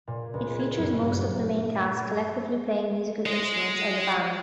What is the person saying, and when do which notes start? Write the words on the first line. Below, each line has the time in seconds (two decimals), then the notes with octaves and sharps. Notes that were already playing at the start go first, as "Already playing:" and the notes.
It features most of the main cast collectively playing musical instruments as a band.
0.07 A#2
0.34 C#2
0.59 G#6
0.78 F#1
1.00 G2
1.76 B5
3.26 G#3 D#5